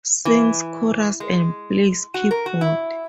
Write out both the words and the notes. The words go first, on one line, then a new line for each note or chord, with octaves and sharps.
Sings chorus and plays keyboard.
E3
G#3
F#4
A#4
F#4
E4